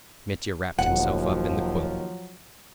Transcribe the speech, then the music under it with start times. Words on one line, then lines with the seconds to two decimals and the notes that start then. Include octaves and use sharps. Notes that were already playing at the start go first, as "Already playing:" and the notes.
Mitya wrapped himself up in the quilt.
0.78 E1 D#2 F3 F#3 F#5